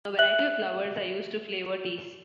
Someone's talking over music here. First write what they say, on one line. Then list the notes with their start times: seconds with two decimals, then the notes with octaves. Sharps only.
A variety of flowers are used to flavour teas.
0.19 E5 F#6 F#7